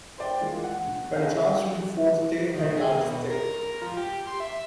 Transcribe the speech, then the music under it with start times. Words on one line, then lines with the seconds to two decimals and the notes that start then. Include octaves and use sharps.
Contrast with forestay and backstay.
0.18 C5 D5 G5
0.41 E3 G#3 A#3 F4
0.63 F#5
1.16 C#4 E4 G#4 A4 D#5 F5
2.54 D#3
2.77 G#4
2.95 B2
3.30 A#4
3.82 F3
3.97 G4
4.27 C6
4.40 E5